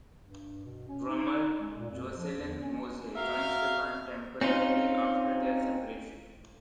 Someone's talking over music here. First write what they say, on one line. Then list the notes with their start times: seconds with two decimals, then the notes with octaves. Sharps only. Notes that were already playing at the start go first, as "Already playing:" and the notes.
Drummer Jocelyn Moze joins the band temporarily after the separation.
0.22 G2
0.65 B2
0.88 C#4
1.08 D#4
1.60 G#3
1.77 A#2
1.90 F2
2.18 F3
2.38 E2
2.60 C#4
3.16 F#4 A#4 E5 F5
4.41 C4 C#4 D#4 F4